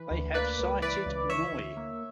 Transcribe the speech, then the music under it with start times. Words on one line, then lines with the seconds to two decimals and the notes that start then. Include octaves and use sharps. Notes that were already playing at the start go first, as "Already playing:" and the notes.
They have cited Neu!
Already playing: E3 B4
0.11 D2
0.34 A#3 B4 D5
0.59 C#2
0.82 E3 B4 D5
1.06 C#2
1.29 E3 C#5 E5
1.52 D2
1.77 A#3